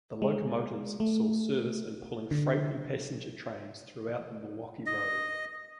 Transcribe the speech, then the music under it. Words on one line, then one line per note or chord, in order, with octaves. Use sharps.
The locomotives saw service in pulling freight and passenger trains throughout the Milwaukee Road.
G#3
A3
D3
D#5